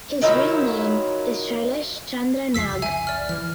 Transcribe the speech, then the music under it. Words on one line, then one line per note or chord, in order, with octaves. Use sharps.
His real name is Shailesh Chandra Nag.
D#3 F#3 E4 F4
C2 F2 C#3 E6 B6 C7
E5 G#5 D#7
D5 F6
E3 F6